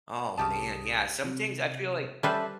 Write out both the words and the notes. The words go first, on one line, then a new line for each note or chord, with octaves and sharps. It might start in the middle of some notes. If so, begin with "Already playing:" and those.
Oh, man, yeah, some things I feel like
C2 C#3 G4 A5 D#6
C3
G3 C#4 A4 B4 C5 E5